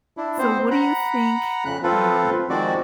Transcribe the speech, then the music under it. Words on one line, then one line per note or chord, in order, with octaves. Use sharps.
So, what do you think, um
D4 E4
B3 C4 C5
F#5 A#5 B5
F2 C#3 F#6
F3 C4 F4 A4 B4
D#3 F3 G#3 C4 F#4 D5